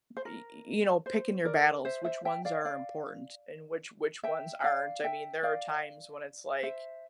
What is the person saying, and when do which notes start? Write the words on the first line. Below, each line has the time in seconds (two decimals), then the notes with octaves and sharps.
y y you know, picking your battles, which ones are important and which which ones aren't, I mean, there are times when it's like
0.17 C5
0.25 A#4
1.06 C5
1.45 A#4 D5
1.85 C5 E5
2.04 C5 E5
2.25 E5 G5
2.45 D5 F5
2.65 D5 F5
4.23 E5 G5
4.64 D5 F5
5.04 E5 G5
5.43 D5 F5
6.63 C5 E5